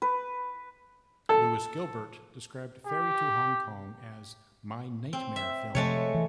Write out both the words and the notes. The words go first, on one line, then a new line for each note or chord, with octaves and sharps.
Lewis Gilbert described "Ferry to Hong Kong" as "my nightmare film".
B4
A4
G4
C4
E5
C3 F3 G#3 A3 C#5
E3